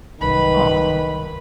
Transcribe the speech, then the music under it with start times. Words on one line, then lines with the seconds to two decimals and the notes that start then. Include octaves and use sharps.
Oh, coo
0.21 C2 F#2 D#3 B4 B5